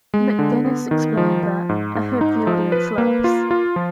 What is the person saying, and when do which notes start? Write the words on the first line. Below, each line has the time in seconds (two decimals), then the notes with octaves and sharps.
McGuinness explained that: I hope the audience laughs.
0.14 G#3
0.39 D3
0.65 B3
0.91 D#3
1.17 F3
1.43 F3
1.69 G#2
1.95 G#2
2.21 D#4
2.47 F3
2.72 B4
2.98 A#3
3.24 F4
3.51 F4
3.76 F3